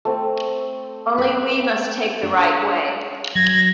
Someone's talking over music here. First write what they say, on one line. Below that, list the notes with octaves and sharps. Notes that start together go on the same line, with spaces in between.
Only we must take the right way.
A3 C4
B4
D4
F#3 G#6 A#6